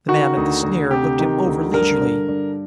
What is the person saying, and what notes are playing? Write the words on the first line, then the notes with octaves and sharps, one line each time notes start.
The man of the sneer looked him over leisurely.
D#3 F#4
D2
D2
C3 G4
D#3
D2
G2 A#4
D3
G2